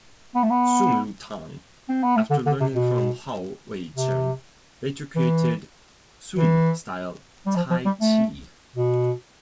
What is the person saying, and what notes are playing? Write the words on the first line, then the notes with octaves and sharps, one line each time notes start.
Sun Lutang after learning from Hao Wei-zhen later created Sun style Tai Chi.
B3
A3
B3
C4
B3
A3
D3
D3
C3
B2
C3
E3
E3
G3
F3
F3
G3
A3
B2